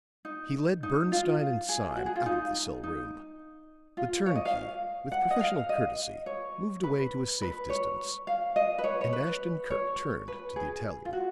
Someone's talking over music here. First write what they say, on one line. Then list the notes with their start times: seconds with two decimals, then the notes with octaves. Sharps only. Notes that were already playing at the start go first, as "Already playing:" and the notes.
He led Bernstine and Sime out of the cell room; the turnkey, with professional courtesy, moved away to a safe distance, and Ashton-Kirk turned to the Italian.
0.25 D#4
0.83 D#4
1.12 F4
1.69 G#4
1.96 F#4
2.06 G#4
2.16 F4
2.26 D#4
2.84 D#4
3.97 F4
4.26 C#5
4.35 D#5
4.45 F5
5.12 F#5
5.31 D#5
5.41 F5
5.69 D#5
6.26 C#5
6.83 B4
7.42 B4
7.69 C#5
8.27 F5
8.56 D#5
8.78 B4
8.84 C#5
9.01 C#5
9.13 B4
9.70 C#5
10.28 B4
10.56 G#4
11.05 F4
11.13 F#4